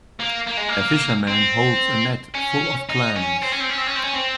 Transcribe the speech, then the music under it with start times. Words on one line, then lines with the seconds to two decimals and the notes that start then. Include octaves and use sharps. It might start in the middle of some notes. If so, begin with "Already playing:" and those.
A fisherman holds a net full of clams.
0.20 A#3
0.47 A#3
0.57 G#3
0.69 A#3
1.28 C4
2.34 C#4
2.89 D#4
3.16 C#4
3.42 C4
3.52 C#4
3.60 C4
3.70 C#4
3.78 C4
3.87 C#4
3.96 C4
4.04 C#4
4.13 C4